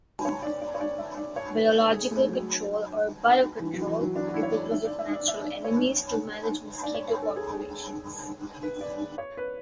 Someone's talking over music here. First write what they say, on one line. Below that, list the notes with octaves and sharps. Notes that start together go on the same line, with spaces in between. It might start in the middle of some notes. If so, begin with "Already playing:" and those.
Biological control or "biocontrol" is the use of natural enemies to manage mosquito populations.
C#5
D5
D5
C#5
D5
E5
D5
C#5
B4
A4
G#4
A3
F#3
E3
F#3
E3
F#3
D4
F#4
E4
C#5
D5
E5
D5
E5
D5
E5
D5
C#5
D5
C#5
C#5
A4
G#4
B4
D5
C#5
B4